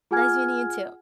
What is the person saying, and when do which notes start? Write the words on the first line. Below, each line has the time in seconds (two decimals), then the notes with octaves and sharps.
Nice meeting you too.
0.11 F4 G#4 F#5 G#5 F6 G#6